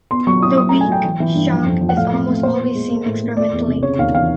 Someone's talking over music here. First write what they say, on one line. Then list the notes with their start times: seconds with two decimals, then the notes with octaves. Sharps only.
The weak shock is almost always seen experimentally.
0.11 B3 C6
0.27 F#3 C#6
0.42 E4 D#6
0.57 F#3 D#6
0.69 A3 A#5
0.81 G#5
0.89 F#3 G5
1.04 E3
1.20 E3
1.35 G2
1.50 F3
1.66 F2
1.81 F3
1.89 F#5
1.97 A2 F5
2.13 C4
2.29 A3
2.43 A#2 C5
2.59 B3
2.75 G#3
2.90 A#3
3.06 A2
3.22 A#3
3.37 A3 D5
3.53 E2
3.68 C3
3.83 C#3 C#5
3.98 D#2 F5
4.15 E3 F5